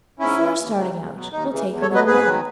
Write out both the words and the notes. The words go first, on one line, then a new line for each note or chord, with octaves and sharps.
Before starting out, we'll take a little nap.
G#2 C#4 E4
E3
D#2
C#3 F#3
E2
B2 F#3
D#2 D#4
C#3 E3
E2
A4 C#5
B2 F#3
B4 D#5
G#2 G#4 B4
D#3 F#3